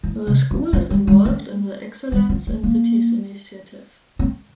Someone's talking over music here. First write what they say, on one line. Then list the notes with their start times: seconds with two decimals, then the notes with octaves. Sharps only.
The school is involved in the "Excellence in Cities" initiative.
0.03 E3
0.27 C3
0.51 F3
0.73 F3
0.90 G3
1.07 G3
1.25 A3
2.12 G3
2.29 F3
2.47 A3
2.63 A#3
4.19 C4